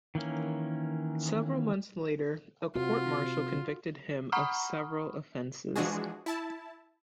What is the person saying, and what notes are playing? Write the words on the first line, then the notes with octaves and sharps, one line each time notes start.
Several months later, a court martial convicted him of several offenses.
D#3 E3 A#3 C#4
C3 F4 F#4
F#5 A#5 B5 C#6 D#6 F6
E3 F3 G#3 D4 F#4 G#4
E4 A5